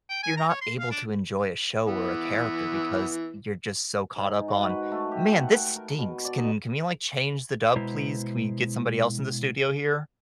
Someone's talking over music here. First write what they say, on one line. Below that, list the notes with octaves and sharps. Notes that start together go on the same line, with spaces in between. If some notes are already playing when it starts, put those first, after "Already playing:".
you're not able to enjoy a show or a character because you're just so caught up on, "Man, this stinks. Can can we, like, change the dub, please? Can we get somebody else in the studio here?"
G5
G#5
A#5
C#5
C6
F5
D4
E3 B3
G#2
F#4
B4
A3
G4
F#5
G5
A#4
B2
D5
D#4
B2 G#3 E4 B4 C5 A#5